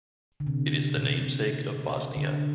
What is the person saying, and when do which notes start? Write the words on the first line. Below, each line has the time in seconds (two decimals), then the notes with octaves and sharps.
It is the namesake of Bosnia.
0.40 D3
0.47 C3
0.96 A#2
1.03 C3
2.17 D3